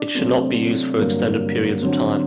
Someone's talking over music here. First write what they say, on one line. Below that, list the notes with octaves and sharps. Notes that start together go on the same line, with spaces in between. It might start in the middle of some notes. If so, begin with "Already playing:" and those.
It should not be used for extended periods of time.
Already playing: D4 D5
C3 F#3 A3 C4
G2 D3 F#3 A#3 A#4
D3 F#3 C4